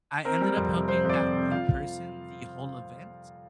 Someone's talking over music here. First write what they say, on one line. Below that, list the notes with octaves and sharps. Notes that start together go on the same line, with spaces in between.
I ended up helping that one person the whole event,
C4 A#4
G3
F2
C3
C4 C5
F2 D5
F2
C3
F4 F5